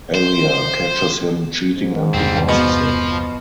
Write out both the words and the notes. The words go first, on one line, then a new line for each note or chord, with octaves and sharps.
Alia catches him cheating and divorces him.
C5
G#2
E2 G2 C3 G3 C4
B2 F3